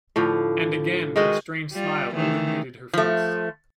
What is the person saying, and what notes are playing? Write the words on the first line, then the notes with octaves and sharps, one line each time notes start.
And again her strange smile illuminated her face.
A2 D3 F3
D#3 G#3 F#4 D#5
G3 F4
D#3 E3 A3
F3 A3